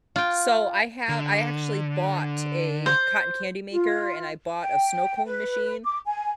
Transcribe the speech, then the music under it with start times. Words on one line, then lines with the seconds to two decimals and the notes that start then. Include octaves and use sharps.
So, I have I actually bought a cotton candy maker, and I bought a snow cone machine,
0.16 F4 G5
1.09 D3
2.86 C5
3.72 F4
4.61 G5
5.26 B4
5.85 D6
6.06 G#5